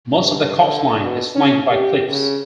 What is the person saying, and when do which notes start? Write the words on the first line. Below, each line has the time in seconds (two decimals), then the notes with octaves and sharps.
Most of the coastline is flanked by cliffs.
0.13 G2
0.57 D3
1.01 B2
1.35 C#4
1.71 G4
2.09 C#3